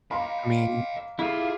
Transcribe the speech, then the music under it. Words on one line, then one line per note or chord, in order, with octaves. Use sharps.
I mean
A#3 D#5 F5 B5 C6
E4 F4 G#4 A4 F5 C#6 D6